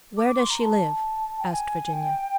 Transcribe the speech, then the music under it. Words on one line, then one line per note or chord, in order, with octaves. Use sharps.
"Where does she live?" asked Virginia.
D6
D6
C6
A#5
A5
G5
G#5
G5